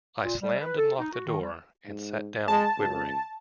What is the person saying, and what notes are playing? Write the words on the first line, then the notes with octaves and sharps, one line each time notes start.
I slammed and locked the door and sat down quivering.
A#2
G3
B4
A4
D#4
F#4
D#3
G3
G#2
G#3 A5
C#2